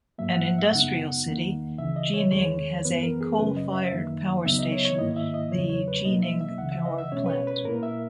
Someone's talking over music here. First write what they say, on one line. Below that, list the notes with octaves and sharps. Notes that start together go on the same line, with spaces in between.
An industrial city, Jining has a coal-fired power station, the Jining Power Plant.
G#2 F#3 A#3 E5
F#5
F#5
E5
F#2 C#3 G#3 B3 D#4 F#5
E2 D#3 A#3 D#4
C#2 C#3 E3 E5
D#5
C#5
E2 D#3 G#3 C#5
F#2 E3 B3 B4
A#4
G#4
F#2 C#3 F#3 C#4 B4
D#5
E5
F#2 D#3 A#3 D#4
C#2 C#3 F#3 B3 D#4 E5
D#5
C#5
C#5
G#2 D#3 A#3 E4 D#5
E5
D#5
E2 C#3 F#3 C#5
C#5
B4
B2 F#3 A#3 D#4 D#5
E5
E5
C#2 C#3 E3 F#5
E5
D#5
E5
B2 G#3 C#4 C#5
B4
C#5
B4
A#2 A#3 E4 A#4
E5